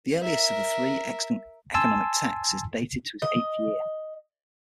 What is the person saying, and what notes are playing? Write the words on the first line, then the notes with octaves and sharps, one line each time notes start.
The earliest of three extant economic texts is dated to his eighth year.
A#4 E5
G#5 A5 C6 E6
D#5